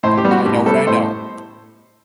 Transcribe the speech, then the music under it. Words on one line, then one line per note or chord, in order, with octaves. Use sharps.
I know what I know.
A2 C5
G4
G3 B3
F#4
A2 G4
G3 B3 A4
A2 C5